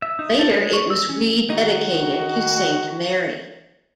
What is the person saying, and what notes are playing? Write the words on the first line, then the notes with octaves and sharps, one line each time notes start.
Later it was re-dedicated to Saint Mary.
E5
D#4
A4
G#3
C#6
E6
C#4
D#3 D#4 F#4